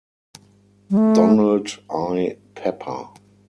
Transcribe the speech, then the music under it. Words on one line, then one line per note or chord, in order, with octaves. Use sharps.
Donald I. Pepper.
G3
A3